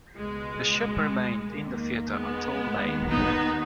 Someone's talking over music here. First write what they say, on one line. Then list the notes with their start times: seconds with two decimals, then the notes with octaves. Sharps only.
The ship remained in theatre until May.
0.15 C#2 B2 G#3
1.46 E2 D#3 A#3
2.12 G#3 B3
2.77 D#2 D#3
3.10 B3 D#4